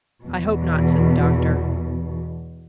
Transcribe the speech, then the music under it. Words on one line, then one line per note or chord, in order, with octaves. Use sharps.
"I hope not," said the doctor.
E2 B2